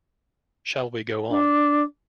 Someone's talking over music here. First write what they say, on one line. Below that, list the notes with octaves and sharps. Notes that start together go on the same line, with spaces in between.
Shall we go on?
D4